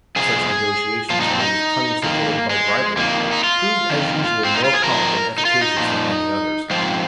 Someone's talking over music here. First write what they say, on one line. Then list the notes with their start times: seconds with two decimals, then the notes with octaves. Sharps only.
Such negotiations, made with cunning supported by bribery, proved as usual more prompt and efficacious than any others.
0.16 F2 C3 G#4
1.10 A#2 F3 F4
1.21 D#4
1.30 C4
1.40 D#4
2.03 F2 D#3 A#3
2.50 G#3
2.97 F2 D#3 A#3
3.32 D#4
3.44 F4
3.90 F2 D#3
4.45 C4
4.55 D#4
4.64 F4
4.74 G#4
4.84 F2 F3 A#4
5.38 D#4
5.45 F4
5.61 D#4
5.77 A#2 F3
6.70 G#2 F3 C4